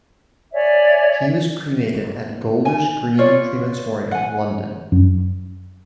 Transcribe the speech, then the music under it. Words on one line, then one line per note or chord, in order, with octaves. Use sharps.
He was cremated at Golders Green Crematorium, London.
C#5 D5 E5 G#5
G#5
F4 C#5 D5
F#5 G#5
F#2